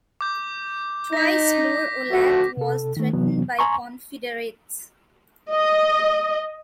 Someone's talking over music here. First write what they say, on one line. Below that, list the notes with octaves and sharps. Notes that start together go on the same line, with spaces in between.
Twice more Olathe was threatened by Confederates.
D6 G6
D#4 A#6 B6
D2 F3 A3 F#4
C3 A4
D#3 A3
C3 E3 F#3 B3
G#5 A#5 C6 C#6
D#5